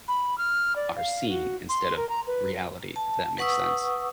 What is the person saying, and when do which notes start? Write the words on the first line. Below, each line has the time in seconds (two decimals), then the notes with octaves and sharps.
are seeing instead of reality, if that makes sense,
0.08 B5
0.38 F6
0.76 D5
0.96 F5
1.28 F#4
1.69 C6
1.96 A#4
2.09 A#5
2.27 B4
2.96 A5
3.38 B4 F#5 C#6 D#6 E6